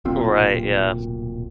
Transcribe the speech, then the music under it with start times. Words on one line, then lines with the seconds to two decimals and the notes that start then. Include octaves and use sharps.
Right, yeah.
0.05 D1 B1 A#2 C4